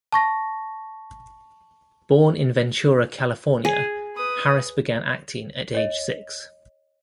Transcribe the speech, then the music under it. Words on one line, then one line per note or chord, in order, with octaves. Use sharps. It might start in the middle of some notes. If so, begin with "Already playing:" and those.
Born in Ventura, California, Harris began acting at age six.
A5 C#6 A#6
G#4
B4 D#6
C#5 D#5